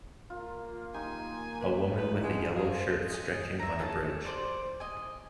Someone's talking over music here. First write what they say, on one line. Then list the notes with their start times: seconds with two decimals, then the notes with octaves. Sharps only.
A woman with a yellow shirt stretching on a bridge.
0.30 A#3 F4
0.94 D#4 G4 G#5 C6
1.61 B4
1.98 E3 D#4 B4
2.23 G#3 C#4 D4 F#5
2.55 G#4 C5 F5 A5
3.10 D#5 G#5
3.59 E5 A#5
3.79 G#4 A4 A5
4.24 C5 D5
4.80 D#5 G#5